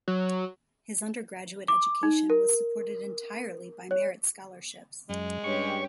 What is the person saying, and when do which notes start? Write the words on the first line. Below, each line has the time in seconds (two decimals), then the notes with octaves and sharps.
His undergraduate education was supported entirely by merit scholarships.
0.08 F#3
1.68 D6
2.03 D#4
2.30 A#4
3.91 C#5
5.09 F#2 G#3
5.44 G2 C#4 G4 C#5 C#6